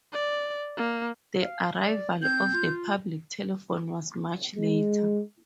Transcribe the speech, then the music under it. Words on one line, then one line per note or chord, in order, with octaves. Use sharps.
The arrival of the public telephone was much later.
D5
A#3
F5
D5
C4 G6
F4
G#3